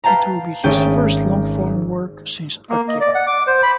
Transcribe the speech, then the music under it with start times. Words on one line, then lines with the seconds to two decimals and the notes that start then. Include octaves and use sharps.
It will be his first long-form work since "Akira".
0.04 B4 F5 G5 A5 A#5
0.63 G#1 A3 C#4 G5 D7 D#7
2.70 A#3
2.88 D#5
3.01 D5
3.15 F#5
3.27 D6
3.47 C5
3.63 B5